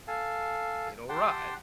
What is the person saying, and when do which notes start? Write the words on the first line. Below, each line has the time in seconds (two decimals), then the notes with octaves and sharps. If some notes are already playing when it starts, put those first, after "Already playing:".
It'll rot
0.07 A4 F5 G#5 A5
1.09 G4 F#5 G5 A5 C6